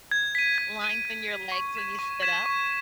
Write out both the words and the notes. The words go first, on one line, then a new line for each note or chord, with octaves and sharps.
lines in your legs when you stood up?
G#6
B6 D#7
G#6
B6 D#7
G#6
B6 D#7
C#6
G#6 B6 E7
C#6
G#6 B6 E7
C#6